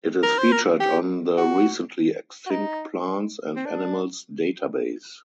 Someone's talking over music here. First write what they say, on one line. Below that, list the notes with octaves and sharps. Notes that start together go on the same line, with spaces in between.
It is featured on The Recently Extinct Plants and Animals Database.
A#4
C5
A#4
G4
F#4
F#4
D#4
C4
D4